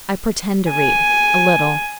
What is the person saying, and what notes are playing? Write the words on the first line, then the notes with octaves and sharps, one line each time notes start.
I pretend to read--a little.
G#5